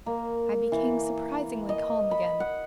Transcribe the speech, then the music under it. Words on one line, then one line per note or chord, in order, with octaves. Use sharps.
I became surprisingly calm again.
A#3
E3
D#5
B5
F#5